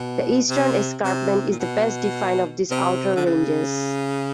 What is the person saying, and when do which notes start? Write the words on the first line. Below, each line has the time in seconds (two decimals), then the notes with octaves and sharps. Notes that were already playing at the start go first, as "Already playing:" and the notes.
The eastern escarpment is the best defined of these outer ranges.
Already playing: B2
0.49 C3
1.04 C3
1.51 A#2
1.60 B2
2.71 C3
3.16 D3
3.27 C#3